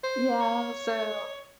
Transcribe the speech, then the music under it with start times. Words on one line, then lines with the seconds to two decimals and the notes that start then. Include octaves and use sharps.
Yeah, so,
0.03 C5
0.40 C#5